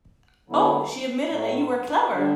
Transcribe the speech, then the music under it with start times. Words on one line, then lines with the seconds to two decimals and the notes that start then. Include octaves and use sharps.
Oh, she admitted that you were clever!
0.49 D3 F#3 B3 E4
1.30 A2 F#3 A3
2.12 D3 G3 D4